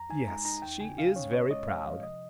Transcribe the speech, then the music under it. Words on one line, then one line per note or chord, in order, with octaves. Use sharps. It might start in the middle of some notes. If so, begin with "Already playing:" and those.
"Yes, she is very proud."
Already playing: F2 A#5
D#4 G#5
G#3 A#5
D#4 A#5
D#2 G5
C#3 G#5
C#3 F5
C#4 C#5
A#2 C#5
G#3 D#5
G#3 F5
F3
C3 D#5